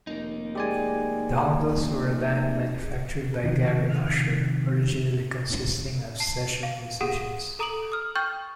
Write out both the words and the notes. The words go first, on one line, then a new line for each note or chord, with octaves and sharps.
The Hondells were a band manufactured by Gary Usher, originally consisting of session musicians.
F1 A#3 D#4
G#3 G4 D5 G#5
C3 D#3 F3
A5 C7 E7
F5
G4 G#4 F#5 D#6 E7
A4 A#5 D#6 D7 F7 F#7
D#6 F6
G5 C#6 F6 G6 A6